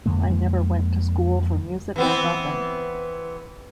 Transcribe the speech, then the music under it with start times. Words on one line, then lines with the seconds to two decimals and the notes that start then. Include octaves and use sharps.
I never went to school for music or nothin'.
0.06 F2 D3 G#3 A#3
1.96 E3 B3 C4